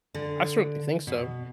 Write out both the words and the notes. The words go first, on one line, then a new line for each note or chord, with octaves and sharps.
I certainly think so.
D3
B2